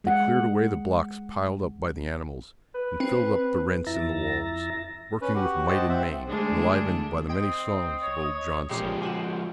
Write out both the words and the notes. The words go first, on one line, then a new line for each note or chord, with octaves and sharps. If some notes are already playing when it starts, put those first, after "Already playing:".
They cleared away the blocks piled up by the animals, and filled up the rents in the walls, working with might and main, enlivened by the many songs of old Johnson.
G#3 F#5
B4
C4
F2 E4 E5 A#5 A6 A#6
C#4 B4
F#4 G4 F#5
C5 D#5 F#5 G5 A5
C4 C5 E5 F#5
D2 G#3 D4
C4 D#5 G5 G#6
C#5
A#2 C#3 F3 G3 G#3 G4 C6
C4 F#4 G#5 F#6 E7